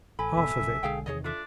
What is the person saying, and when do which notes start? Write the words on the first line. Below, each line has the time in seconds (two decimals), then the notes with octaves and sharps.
"Half of it."
0.19 A1 A4 G#5 B5
0.35 A1 F#2 B2 E5
0.58 B1 C#3
0.83 B1 D3 G#3 G#4 F5 G5
1.06 E2 C3 D#3 G#4 C#5 D#5
1.24 D4 F4 A4 E5